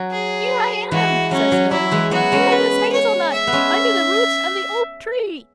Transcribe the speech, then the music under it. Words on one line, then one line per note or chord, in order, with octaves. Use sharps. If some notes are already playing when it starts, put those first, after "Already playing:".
"Here I am," says Ill-Luck--"here in this hazel-nut, under the roots of the oak-tree."
Already playing: F#3
G#4
E3 G#3 F#4
F#3 C#4
F#3
F#3 E4
E3 G#3
F#3 B3 F#4
G#3 C#4
B4
C#5
E5
B3
G#3 C#4